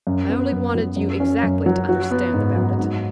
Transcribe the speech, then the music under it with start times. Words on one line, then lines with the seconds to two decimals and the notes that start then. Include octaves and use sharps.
I only wanted you exactly to understand about it.'
0.07 F#2
0.29 B3
0.52 F#2
0.75 F#3
0.97 F#2
1.20 C#4
1.43 F#2
1.66 F#3
1.89 F#4
2.11 B3
2.33 G#2
2.56 F#3
2.79 G#2